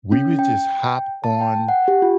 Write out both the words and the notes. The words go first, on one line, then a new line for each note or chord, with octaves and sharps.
we would just hop on
C#4
G5
A5
G5
F#5
G4
F4